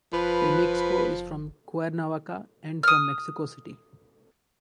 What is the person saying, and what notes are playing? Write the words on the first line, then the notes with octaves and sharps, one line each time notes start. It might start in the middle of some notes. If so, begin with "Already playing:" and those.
Temixco is from Cuernavaca and from Mexico City.
F#1 F3 B4
D#6 F6